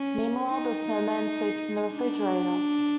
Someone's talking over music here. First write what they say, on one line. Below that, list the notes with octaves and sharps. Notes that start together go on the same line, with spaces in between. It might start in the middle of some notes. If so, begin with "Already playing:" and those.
Meanwhile, the snowman sleeps in the refrigerator.
Already playing: C#4
D#4
D4